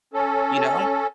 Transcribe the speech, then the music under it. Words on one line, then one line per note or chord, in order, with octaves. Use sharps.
you know?
C#4 A4